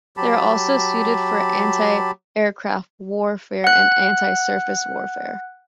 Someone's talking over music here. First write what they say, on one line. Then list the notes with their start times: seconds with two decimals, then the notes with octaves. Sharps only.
They are also suited for anti-aircraft warfare and anti-surface warfare.
0.17 F#3 G4 A5 B5
3.64 F#5 F#6